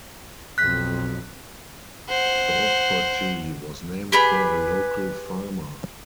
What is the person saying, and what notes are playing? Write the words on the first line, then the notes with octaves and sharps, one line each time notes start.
Dougherty was named for a local farmer.
B1 F2 F#6 B6
C5 F#5
G4 G#4 B4 B5